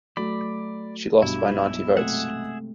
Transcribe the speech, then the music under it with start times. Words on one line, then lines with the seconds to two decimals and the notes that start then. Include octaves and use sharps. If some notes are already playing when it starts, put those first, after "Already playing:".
She lost by ninety votes.
0.17 F#3 A3 D5 B5
1.22 B1 G2 F#3 E4
1.97 C3 G#3 A3 G#4 E5 F#5